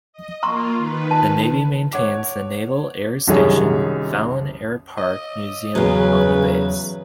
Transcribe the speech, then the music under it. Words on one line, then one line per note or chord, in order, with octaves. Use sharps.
The navy maintains the Naval Air Station Fallon Air Park museum on the base.
D#5
A#3 F4 A#5 C6 C#6
D#3 B4
A5
C#5 F#5 D6
C2 F#2 D#3 G3 G#4 C#5
D#5
E2 C#3 F#3 B4